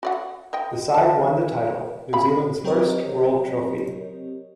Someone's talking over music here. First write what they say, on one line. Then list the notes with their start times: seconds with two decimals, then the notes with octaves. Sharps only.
The side won the title, New Zealand's first world trophy.
0.03 F#4 D5 F#5
0.53 C5 D#5 G5
0.94 A5
2.13 F5 B5
2.64 F#3 C4 G4 A#4 C#5 D#5